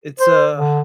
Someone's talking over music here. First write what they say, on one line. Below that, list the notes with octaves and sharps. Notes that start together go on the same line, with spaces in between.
It's a
C5
D3